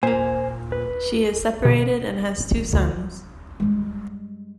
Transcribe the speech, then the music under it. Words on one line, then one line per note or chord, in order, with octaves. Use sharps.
She is separated and has two sons.
A#2 A#3 C5 G#5
B4
B2
D2
G2 G#3